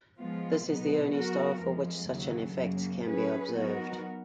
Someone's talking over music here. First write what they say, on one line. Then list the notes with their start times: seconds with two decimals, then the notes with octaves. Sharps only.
This is the only star for which such an effect can be observed.
0.18 F3 G#3 B3 F4
0.67 B2 F#3 B3 D#4
1.14 F#3 B3 F#4 A#4
1.63 F2 F3 G#3
2.11 D#2 C#3 F#3
2.58 F#2 C#3 F#3 A#3
3.06 F#3 C#4 G#4 B4
3.55 F#3 B3 D#4 F#4 A#4